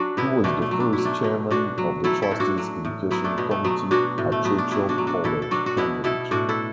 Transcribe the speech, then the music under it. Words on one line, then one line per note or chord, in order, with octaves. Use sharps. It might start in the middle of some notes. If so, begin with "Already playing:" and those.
He was the first chairman of the Trustee's education committee at Churchill College, Cambridge.
Already playing: F#3 D4 F#4
B2 B3 E4
B2 A3 D4
A3
F#3
D4
E4
F#3
A3 D4
B2
B2 D4 F#4
F#3
F#3 E4 A4
E4 A4
A2
D4 F#4
F#3
A2
F#3 B3 E4
A3 D4
B2 B3
A3
F#3 B3
B2 D4 F#4
A2
A3
F#3 B3
D4
F#3 B3 E4
D4 F#4
F#3
D4 F#4
B2 E4 A4
A4
F#3 D4 F#4
F#4
B2 B3 E4
B2 E4 A4
A2 D4 F#4
E4 A4